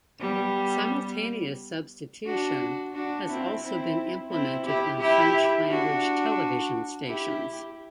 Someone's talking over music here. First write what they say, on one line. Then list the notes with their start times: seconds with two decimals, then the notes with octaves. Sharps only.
Simultaneous substitution has also been implemented on French language television stations.
0.20 G3 B3
2.26 D4 F#4
2.94 D4 F#4
3.28 C4 E4
3.63 C4 E4
4.31 C4 E4
4.66 E4 G4
4.99 E4 G4
5.68 D4 F#4
7.06 E4 G4